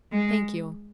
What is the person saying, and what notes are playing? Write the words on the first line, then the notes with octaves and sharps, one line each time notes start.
'Thank you.
G#3